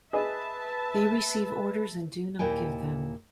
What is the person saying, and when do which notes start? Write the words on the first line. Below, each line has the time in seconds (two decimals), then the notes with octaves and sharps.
They receive orders and do not give them.
0.13 G#4 B4 D#5 E5 A5
2.39 D#2 A#2 D#3 E4 G5 G#5